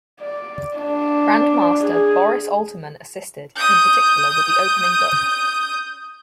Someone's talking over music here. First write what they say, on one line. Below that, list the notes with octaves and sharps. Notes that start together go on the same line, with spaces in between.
Grandmaster Boris Alterman assisted, in particular with the opening book.
D5
D4
G#4
D#6 G6